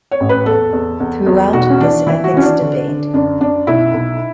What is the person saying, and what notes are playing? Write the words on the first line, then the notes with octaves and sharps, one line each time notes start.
Throughout this ethics debate.
C#5
A1
B4
E2 A4
E2
E2
E2
B1 F#4
C#4
E3 D4
E3 E4
F#4
E3 C#4
D4
D3
D3
F#2 D4
F#2 D4
B1 E4
B1